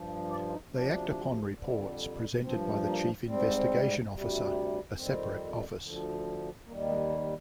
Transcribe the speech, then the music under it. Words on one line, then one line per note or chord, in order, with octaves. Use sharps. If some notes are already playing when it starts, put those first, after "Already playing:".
They act upon reports presented by the Chief Investigation Officer, a separate office.
Already playing: G2 F3
D5
F4
D#4
D2 C3 F3 D4
F2 D3 G3
G2 F3 C4
A#3
G#2 G3 C4
D2 C3 G3
F2 D#3 G3 C4
D2 D3 F3
D#2 D#3 G3 A#3
G#3
A#3